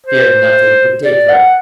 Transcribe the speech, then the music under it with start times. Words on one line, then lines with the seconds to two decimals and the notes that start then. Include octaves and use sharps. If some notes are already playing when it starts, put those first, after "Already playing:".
'Fear nothing, but take her.'
0.07 C5
1.04 D5
1.29 F#5